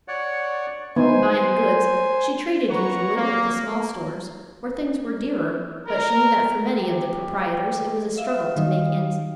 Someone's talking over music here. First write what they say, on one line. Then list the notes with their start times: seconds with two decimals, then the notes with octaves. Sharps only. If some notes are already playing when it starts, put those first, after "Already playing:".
In buying goods she traded usually with the small stores, where things were dearer, but she knew that for many of the proprietors it was a struggle to make ends meet.
0.08 C#5 D5 F#5
0.96 B3 D#4 C5 G#5
2.70 F#4 B4 C#5 F#5 A#5 C#6
3.16 A#3
5.87 A#4
6.68 G4
8.18 E5 F5
8.56 D#3 G3 D#4